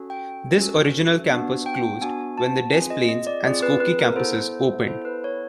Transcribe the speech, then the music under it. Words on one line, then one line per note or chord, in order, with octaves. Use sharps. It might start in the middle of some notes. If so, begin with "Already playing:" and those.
This original campus closed when the Des Plaines and Skokie campuses opened.
Already playing: C#4 F#4 A4
G5
C#4 F#4 A4
B3 D4 F#4
G5
B3 D4 F#4 G#5
A5
C4 F4 G#4 G#5
D#5
D#5
D5
C4 F4 G#4 D5
B4
B4
A#4
B3 E4 A4 C5
B3 E4 A4 C5
B4
C#5